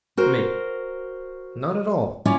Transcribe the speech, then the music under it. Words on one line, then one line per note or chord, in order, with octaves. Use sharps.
ME: Not at all.
F#4 A#4 C5
C#4 E4 F4 C#5 D5